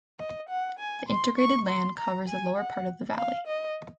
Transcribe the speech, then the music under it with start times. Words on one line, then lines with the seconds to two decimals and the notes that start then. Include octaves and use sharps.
The irrigated land covers the lower part of the valley.
0.19 D#5
0.49 F#5
0.79 G#5
1.09 C6
1.38 C#6
1.68 C6
1.98 A#5
2.28 G#5
2.58 F#5
3.18 F5
3.47 D#5